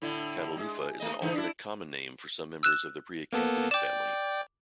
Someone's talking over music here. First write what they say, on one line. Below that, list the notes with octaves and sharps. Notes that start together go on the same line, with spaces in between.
"Catalufa" is an alternate common name for some members of the Priacanthidae family.
A2 D3 E4
G#3
A3 D#5
D3 E3 D#4
D4 E4
E6 F#6 E7
A#3 B3 A4
D5 G5 D6 E7